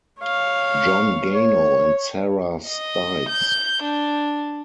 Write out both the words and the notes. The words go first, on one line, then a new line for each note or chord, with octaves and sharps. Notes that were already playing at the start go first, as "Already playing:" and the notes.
John Gano and Sarah Stites.
C#5 F5
C#5
D#5
G6
D4